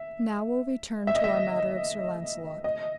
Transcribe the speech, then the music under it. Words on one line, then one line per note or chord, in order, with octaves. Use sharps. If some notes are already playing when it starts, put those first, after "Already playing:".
Now will we turn to our matter of Sir Launcelot.
Already playing: E5
E5
D#5
E5
D#5